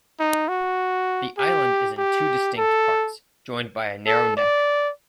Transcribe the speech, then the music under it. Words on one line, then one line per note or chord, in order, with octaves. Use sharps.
The island is in two distinct parts, joined by a narrow neck.
D#4
F#4
G4
G4
A4
A4
D5